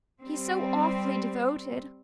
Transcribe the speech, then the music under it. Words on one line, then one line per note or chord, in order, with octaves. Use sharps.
"He's so awfully devoted!"
G3 C4